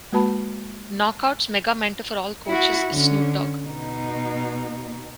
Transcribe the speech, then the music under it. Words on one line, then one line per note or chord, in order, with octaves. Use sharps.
Knockouts Mega Mentor for all coaches is Snoop Dogg.
G#3 A#3 F#4 B4 A5 B5
E4 F#4
D3 C#4
B2 D#4